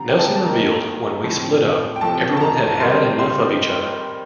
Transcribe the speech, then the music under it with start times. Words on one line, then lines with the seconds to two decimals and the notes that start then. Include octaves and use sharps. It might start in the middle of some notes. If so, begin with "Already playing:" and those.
Nelson revealed when we split up, everyone had had enough of each other.
Already playing: D3 G3 C4 A#5
0.09 G5
0.19 A5
0.36 A5
0.44 D#3 A#3 A#5
1.23 A2 F3 C4
1.96 G5
2.01 C3 F3 A3 C4 A5
2.37 A5
2.41 A#5
2.80 D#3 G3 C4 C6
3.19 C6